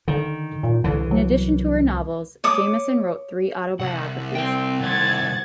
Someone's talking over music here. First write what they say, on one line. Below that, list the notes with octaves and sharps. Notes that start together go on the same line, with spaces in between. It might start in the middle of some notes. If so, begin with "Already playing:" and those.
In addition to her novels, Jameson wrote three autobiographies.
D3 D#3
A#2
C2 D3 E3
F#3
C#5 D6 D#6
C2 F#5
C4 G5
C3 D#3 G3 F#5 G#6 A6